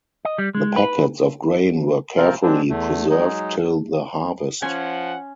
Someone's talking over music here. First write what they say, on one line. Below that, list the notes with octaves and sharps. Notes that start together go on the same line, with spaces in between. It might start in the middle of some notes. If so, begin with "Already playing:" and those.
The packets of grain were carefully preserved till the harvest.
D#5
G3
G#3
B4
C3 F3 C4 F4 A#4
F#3 G#3 C4 D4
E2 A3
F#3 G#3 D#4
F3 C#4 F#5 G#5 C6 C#6